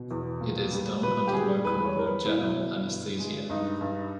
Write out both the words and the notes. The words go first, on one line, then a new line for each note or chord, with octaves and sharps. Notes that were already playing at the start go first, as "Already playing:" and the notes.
It is done under local or general anesthesia.
Already playing: B2
E2
A#2
G3
A#2 B4
G4
G3 G#4
E2 B4
C#5
E2 A#4
B4
B2 E4
B2
G2
G#3
G2 D#4
G2